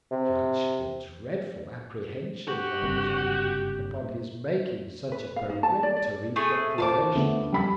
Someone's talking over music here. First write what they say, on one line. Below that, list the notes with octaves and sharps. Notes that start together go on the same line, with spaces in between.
Judge the dreadful Apprehensions I was under, upon his making such a peremptory Declaration.
C3
F#4 G4
F#1 G2 C3
B4
F5
D#4
A5
D5
D5
A3 G#4
F4 C5 A5 C6 D6
D3 A3 B3
G3 B5 B6